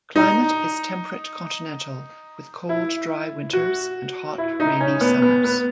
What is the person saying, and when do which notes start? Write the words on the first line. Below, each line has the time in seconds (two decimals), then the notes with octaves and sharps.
Climate is temperate continental, with cold, dry winters and hot, rainy summers.
0.16 D#4
2.69 E4
3.53 F#4
4.38 E4
4.60 D#4
4.80 C#4
5.01 B3
5.22 B3
5.44 B3